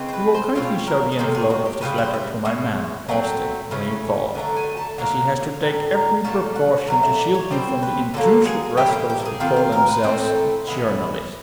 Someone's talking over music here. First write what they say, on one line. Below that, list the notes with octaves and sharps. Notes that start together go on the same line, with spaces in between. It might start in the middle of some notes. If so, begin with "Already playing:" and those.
You will kindly show the envelope of this letter to my man, Austin, when you call, as he has to take every precaution to shield me from the intrusive rascals who call themselves 'journalists.'
Already playing: C#3 E3 G#3 C4
C5
B4
C5
B2 G#3 C4 F4 C#5
A#4
G#4
C3 D#3 G#3 A4
G#4
F#4
G4
C#3 E3 G3 B3 B4
C5
E5
B2 G#3 C#4 E5
F#3 A3 C4
C#3 E3 A3 C#4
D3 F#3 A3
G#5
A5
D3 F#3 A#3 A#5
A#5
A2 F#3
A#5
A#2 F#3 A3 C#4 A5
F#5
A#2 F#3 A3 E5
E5
D5
C#5
B2 G3 C4 C5
B4
D3 F#3 A#3 A4
G#4
A2 E3 G3 A#3 G4
G4
G4
A4
G#4
D#3 G3 C4 F4 A4
A#4
A#4
B4
A2 E3 A3 C4 C5
E3 G#3 B3 E4